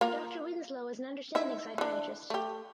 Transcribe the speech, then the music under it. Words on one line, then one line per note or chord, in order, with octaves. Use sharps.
Doctor Winslow is an understanding psychiatrist.
A#3 F4 A#4
D#4 E4 E5
E3 D4
A3 G4